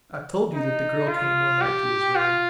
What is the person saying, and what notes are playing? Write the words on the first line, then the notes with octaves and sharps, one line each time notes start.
I have told you that the girl came one night to his room.
D#4
F4
G4
F4